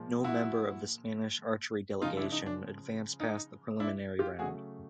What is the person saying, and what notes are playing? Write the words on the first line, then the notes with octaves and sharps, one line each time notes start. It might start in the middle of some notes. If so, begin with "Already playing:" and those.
No member of the Spanish archery delegation advanced past the preliminary round.
Already playing: A#2 F3 G#3
E4 F#4
C#3 F3 G#3 D#4 F4
D4 E4
D#4
D4
D#4
D4 E4
F4 G4
C#3 F#3 A3 F#4 G#4